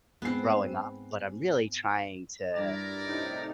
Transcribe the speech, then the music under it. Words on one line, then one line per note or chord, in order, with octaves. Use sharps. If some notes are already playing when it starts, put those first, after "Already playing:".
growing up, but I'm really trying to
G#2 G#3 B3 C4 C7
G2 E4 A#4 D5 A#5 A6
A2 C3 D#4